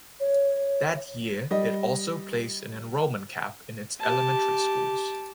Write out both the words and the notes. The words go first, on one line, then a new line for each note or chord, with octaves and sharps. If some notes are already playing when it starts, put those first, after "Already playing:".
That year it also placed an enrollment cap in its elementary schools.
C#5
G3 D#5
G4 A5